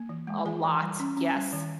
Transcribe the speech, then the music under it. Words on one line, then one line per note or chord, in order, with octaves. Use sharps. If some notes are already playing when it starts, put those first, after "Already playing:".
a lot, yes,
Already playing: A#3
E3
G#3
E3 G#4 G#5
E3
G3
C#4
C#4
G3
D#3